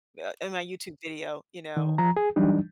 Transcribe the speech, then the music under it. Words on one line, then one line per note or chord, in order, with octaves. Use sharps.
uh, in my YouTube video, you know?
D#3
F3 A#5
G#4
E3 F#3 G3 D4 D#4